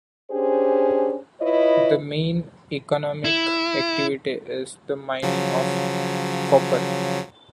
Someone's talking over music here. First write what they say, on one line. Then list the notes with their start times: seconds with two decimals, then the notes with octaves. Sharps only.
The main economic activity is the mining of copper.
0.31 C#4 D4 G4 G#4 C5
1.41 E4 F4 B4 C#5 D#5
3.25 E4
5.23 C#3 F3 F#3